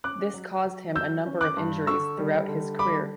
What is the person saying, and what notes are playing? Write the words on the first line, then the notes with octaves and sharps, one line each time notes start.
This caused him a number of injuries throughout his career.
C#4 D6 F#6
F#3
F#3
F#3 E6 G6
C#4
D6 F#6
G2
D3 C#6 E6
G3
D3
G3 B5 D6